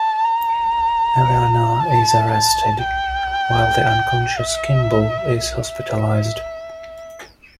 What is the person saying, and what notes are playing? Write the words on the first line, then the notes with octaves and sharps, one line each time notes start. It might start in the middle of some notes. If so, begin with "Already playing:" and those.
Eleanor is arrested, while the unconscious Kimble is hospitalized.
Already playing: A5
A#5
A5
A5
G5
E5
E5